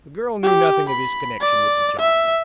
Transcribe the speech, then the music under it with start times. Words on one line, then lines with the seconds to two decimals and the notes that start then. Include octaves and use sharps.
The girl knew nothing of his connection with the job.
0.43 G4
0.89 B5
1.41 D5
2.00 E5